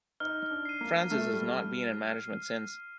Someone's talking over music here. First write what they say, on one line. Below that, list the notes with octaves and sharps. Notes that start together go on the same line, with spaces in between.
Francis has not been in management since.
D#4 F6
D4
C7 D#7
A#3
A3 F6
G3